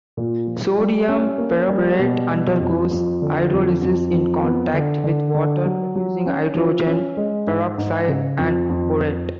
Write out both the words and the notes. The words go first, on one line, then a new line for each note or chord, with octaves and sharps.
Sodium perborate undergoes hydrolysis in contact with water, producing hydrogen peroxide and borate.
A#2
F3
G3
C#4
A#3
G3
B2
G3
F2
F2
D3
F2
F2
F2
B3
D3
D3
D3
F#3
F#3
C#4
F3
C#4
G#3
G#2
G#2
C#3
F2
F2
F2